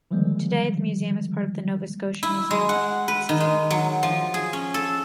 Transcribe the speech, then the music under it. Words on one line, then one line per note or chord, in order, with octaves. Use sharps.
Today the museum is part of the Nova Scotia Museum system.
D3 D#3 F3 G3 G#3 A#3
E4
G#3
F#5
B4
D#3
G#3
F#3
F3
G#4
C#4
A4